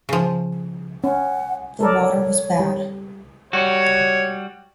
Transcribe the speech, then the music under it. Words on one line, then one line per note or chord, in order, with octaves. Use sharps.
The water was bad.
C#3 F3
C#4 F#5
A4 A#4 C#5 D5
G3
G3 F#4 C#5